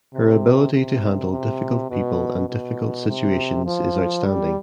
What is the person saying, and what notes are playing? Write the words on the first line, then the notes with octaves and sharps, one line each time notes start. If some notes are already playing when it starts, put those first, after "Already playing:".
Her ability to handle difficult people and difficult situations is outstanding.
C3
C3
C3
B2
B2
C3
F3
G3